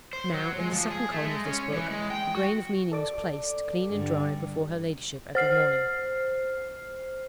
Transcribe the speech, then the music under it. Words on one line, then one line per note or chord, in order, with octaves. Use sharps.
Now, in the second column of this book, the grain of meaning was placed, clean and dry, before her ladyship every morning.
C5
F#3
G#3
F3
G#4
A3
G#3
C#4
E3
G#3
G5
F#4
A4 D5 D6
G2 D3
C5 F6 C7